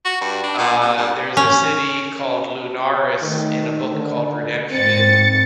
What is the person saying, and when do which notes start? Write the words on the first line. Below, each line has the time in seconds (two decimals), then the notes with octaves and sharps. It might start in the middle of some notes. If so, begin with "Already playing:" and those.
Uh, there's a city called Lunaris in a book called Redemption
0.05 F#4
0.21 G2
0.43 D4
0.58 A#2
0.81 C3
0.97 G2
1.37 C#4
3.23 D#3 A3
3.90 D3
4.71 G#2 C4 A6 C#7